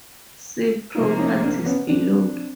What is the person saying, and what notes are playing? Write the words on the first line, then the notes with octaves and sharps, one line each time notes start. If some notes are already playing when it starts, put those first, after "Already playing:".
See Properties below.
C3 F3 A#3 D#4 F4
C#4 D#4
C4 D4
B3 C#4
C4 D4